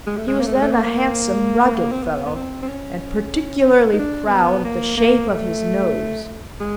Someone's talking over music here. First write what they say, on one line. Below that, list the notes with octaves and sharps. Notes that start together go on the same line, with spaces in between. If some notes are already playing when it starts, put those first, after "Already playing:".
He was then a handsome, rugged fellow, and particularly proud of the shape of his nose.
G#3
A3
G#3
A#3
A3
G#3
A3
A#3
C4
B3
B3
C4
C4
C#4
D#4
D4
C4
B3
A#3
A#3
A3
G#3